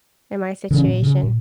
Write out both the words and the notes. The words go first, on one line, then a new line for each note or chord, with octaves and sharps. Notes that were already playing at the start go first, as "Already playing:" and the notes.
in my situation.
C#3 E3 C#4
A#2
C#3
A#2